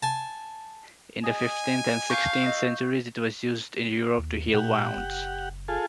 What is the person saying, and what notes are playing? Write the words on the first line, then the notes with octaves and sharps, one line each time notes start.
In the fifteenth and sixteenth centuries it was used in Europe to heal wounds.
G#5 A5
G#4 D#5 G#5
F5 A5 B5 C#6 D6 G6
D#5 E6
D#2
A#2 G4 F#5
F#1
F4 G#4 A4